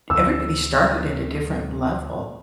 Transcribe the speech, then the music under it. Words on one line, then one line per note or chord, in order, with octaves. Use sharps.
everybody started at a different level
D2 F3 E6